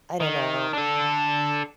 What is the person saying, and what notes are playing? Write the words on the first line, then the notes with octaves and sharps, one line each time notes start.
I don't know.
D#3
D4 A4